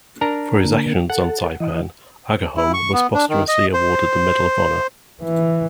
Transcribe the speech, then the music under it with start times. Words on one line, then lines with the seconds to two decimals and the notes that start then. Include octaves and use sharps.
For his actions on Saipan, Agerholm was posthumously awarded the Medal of Honor.
0.21 D4 A#4 A#5
0.64 D3 A#3
1.10 A4 F#5
1.60 E3 D#5
2.57 E4
2.74 C#6
2.93 B3
3.14 D4
3.30 D#3
3.48 D#5
3.74 C5
5.22 E3